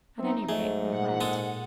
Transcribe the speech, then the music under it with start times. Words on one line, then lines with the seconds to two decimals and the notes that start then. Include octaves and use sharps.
At any rate, they went.
0.19 F#3 B3 C4 D#4 E5
0.49 G#2 F#3 A3 G#4 D#5
0.92 A#2 F#5
1.21 G#3 A4 D#6